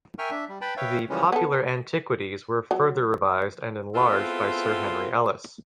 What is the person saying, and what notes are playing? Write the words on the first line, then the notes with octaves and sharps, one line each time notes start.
The "Popular Antiquities" were further revised and enlarged by Sir Henry Ellis.
A#4 E5 G5 G#5 C#6 F6
D4 E5
G3
B4 G5 A5 B5
B4 C#5 E5 F5 G5
C#3 E3 F3 G3 G#3 C#4
B3 A4
F#3
G#3 B3 C4 E4 F4 A4